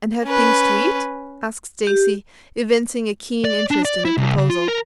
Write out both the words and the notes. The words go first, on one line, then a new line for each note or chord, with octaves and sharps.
"And have things to eat?" asked Stacy, evincing a keen interest in the proposal.
C#4 B4
G4
D5
D4
D5
E4
C2
C#3
F4
A#4